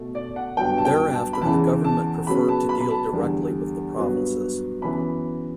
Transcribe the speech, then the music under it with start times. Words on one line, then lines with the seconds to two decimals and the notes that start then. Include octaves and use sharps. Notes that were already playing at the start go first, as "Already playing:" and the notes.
Thereafter the government preferred to deal directly with the provinces.
Already playing: B2 A3
0.15 D5
0.36 F#5
0.57 G2 F#3 B3 G5
0.78 A5
0.85 G5
1.13 A5
1.33 B5
1.42 E2 C#3 E3 A5
1.84 A5
2.27 C#3 F#3 B3 B5
2.49 A5
2.69 B5
2.81 B5
2.91 A5
3.13 E2 D3 G3
3.97 G2 F#3 B3
4.81 F#2 E3 B3 B5